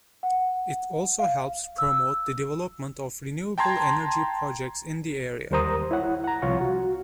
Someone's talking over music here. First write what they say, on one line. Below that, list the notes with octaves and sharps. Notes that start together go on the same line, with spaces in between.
It also helps promote the development of renewable energy projects in the area.
F#5
F5
E6
G5 A5 A#5 C6 G#6
D#2 G3 A#4 C5 A#5 D#6
E4 C#5 F#5
F#5 A#5
C2 F3 F4 C#5 C#6
F#4